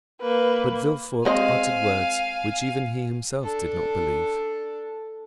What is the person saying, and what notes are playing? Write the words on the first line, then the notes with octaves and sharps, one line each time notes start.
But Villefort uttered words which even he himself did not believe.
A#3 B4
G#3 C4 D#5 F5 G#5
D4 A4